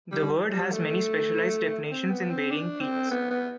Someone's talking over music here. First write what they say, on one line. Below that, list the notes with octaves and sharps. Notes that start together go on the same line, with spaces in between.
The word has many specialized definitions in varying fields.
G3
G3
A3
C4
B3
C4
D4
C4
B3
B3